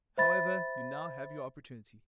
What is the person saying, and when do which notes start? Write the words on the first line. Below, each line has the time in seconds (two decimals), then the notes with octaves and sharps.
However, you now have your opportunity.'
0.18 C5 E5 B5 A6